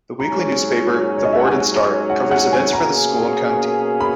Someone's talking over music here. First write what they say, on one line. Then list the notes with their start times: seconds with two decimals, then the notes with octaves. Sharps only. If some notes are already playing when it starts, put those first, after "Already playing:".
The weekly newspaper, the "Borden Star", covers events for the school and county.
0.20 G#2 F#3 C#4 A#5
1.18 C#5
1.25 D#5
1.32 E5
1.40 F#5
1.47 G#5
2.10 F#5
2.31 F#5
2.53 G#5
2.73 B2 A#3 C#4 G#4 A#5
4.00 B5